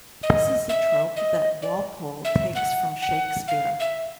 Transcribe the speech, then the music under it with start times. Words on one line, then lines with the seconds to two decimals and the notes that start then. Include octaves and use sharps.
This is a trope that Walpole takes from Shakespeare.
0.23 D#5
0.69 E5
1.16 D#5
1.62 D5
2.25 E5
2.55 F#5
3.02 F#5
3.48 F5
3.80 E5